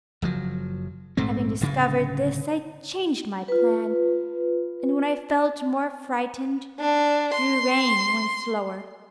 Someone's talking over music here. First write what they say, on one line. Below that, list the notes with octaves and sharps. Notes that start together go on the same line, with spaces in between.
Having discovered this, I changed my plan, and when I felt more frightened, drew rein and went slower.
F#1 F3 F#3
A#1 G#2 A3 C4
D1 G2 C#3
F4 B4
D4
C6